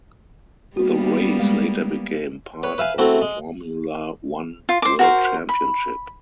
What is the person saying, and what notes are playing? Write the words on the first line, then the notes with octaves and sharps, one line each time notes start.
The race later became part of the Formula One World Championship.
G3 A#3 B3 F#4
G#3
B4 C#5
B4 E5 F5 G#5
A3 C4 E4 F#4
G#3
F4
C5 D6
F#4 A#4 C5
B5